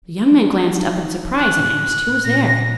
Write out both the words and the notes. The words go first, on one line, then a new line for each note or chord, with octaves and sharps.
The young man glanced up in surprise, and asked who was there.
D#4
F#6
A2
A#2 A#6